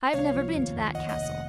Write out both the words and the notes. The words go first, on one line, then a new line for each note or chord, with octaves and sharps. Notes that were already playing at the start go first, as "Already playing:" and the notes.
"I have never been to that castle."
C2 C#5 F5
F3
D#2
D#2
D#2 D#5 F#5
D#5 F#5
F1
D#5 F#5